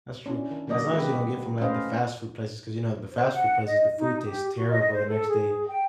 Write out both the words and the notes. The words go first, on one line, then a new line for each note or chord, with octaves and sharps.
That's true, as long as you don't get from, like, the fast food places, ‘cause, you know, the fast food places, the food tastes terrible the next day,
C#4 D4 E4
D#3
D3 F#3 A#3 D5 D#5
G#3 G4 B4
B2 B3
A3 C#4 B4 C5 D#5 F5
C5
F#5
D#5
D#4
G4
F#4
D#5
C5
A4
G#4
G5